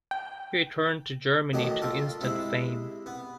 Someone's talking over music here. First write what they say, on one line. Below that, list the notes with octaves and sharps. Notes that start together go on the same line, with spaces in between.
He returned to Germany to instant fame.
G5
A1 D#3 F#3 G4 D#5 A5
F4 A4 A#4
C3 G#3 E4 E5
B3